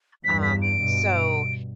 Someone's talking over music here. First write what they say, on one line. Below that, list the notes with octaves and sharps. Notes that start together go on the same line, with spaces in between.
Um, so,
E2 G2 B6
B6
D7
G2 B2